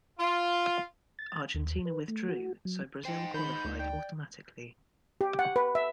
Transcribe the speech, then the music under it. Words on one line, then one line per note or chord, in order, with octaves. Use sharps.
Argentina withdrew, so Brazil qualified automatically.
F4
A6
D#2
B4
A3
F#4
F#3
D#4 C5 G5
D#3 B5 G6
D2
D5 G5
G4
F#5
B4
E5